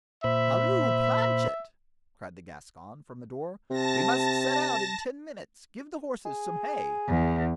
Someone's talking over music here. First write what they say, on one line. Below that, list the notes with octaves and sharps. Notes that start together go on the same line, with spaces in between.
"Halloo, Planchet!" cried the Gascon from the door, "we must set out in ten minutes; give the horses some hay."
A#2 C5 E5 B5
C3 A5 A#6
G#4
E2